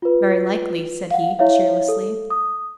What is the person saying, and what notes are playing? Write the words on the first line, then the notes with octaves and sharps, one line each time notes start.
"Very likely," said he cheerlessly.
F4 B4
F5 F#5
E4 C#5 E5 F5
A4
D#6